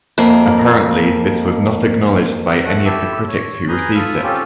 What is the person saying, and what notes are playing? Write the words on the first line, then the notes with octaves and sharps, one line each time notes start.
Apparently this was not acknowledged by any of the critics who received it.
F2 A#3
A3 F#5
E4 G4 A4 E6
C#5
G#4 B4 G#5 A#5 G6
F4 A4 B5 D#6 F6
C4 C#4 F4 G4 A4